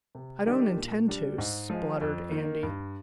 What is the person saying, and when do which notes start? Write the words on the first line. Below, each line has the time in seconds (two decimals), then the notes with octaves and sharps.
"I don't intend to," spluttered Andy.
0.15 C3
0.46 D#3 G3 D4 G4
0.77 A#2
1.08 G3 D4
1.38 G#2
1.70 F3 G#3
2.01 F2
2.32 D#3 A#3
2.63 G2